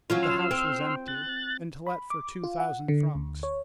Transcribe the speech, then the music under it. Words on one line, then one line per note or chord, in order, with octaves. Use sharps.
The house was empty, and to let for two thousand francs.
E3 F#3 C#4 F4
C6 E6 F6
C4
F#6 A6
B5
D6
F4
F#5
D3
D2
C#5